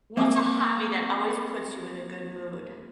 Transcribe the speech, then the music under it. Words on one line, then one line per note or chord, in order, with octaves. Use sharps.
what's a hobby that always puts you in a good mood?
A#3 C4 E5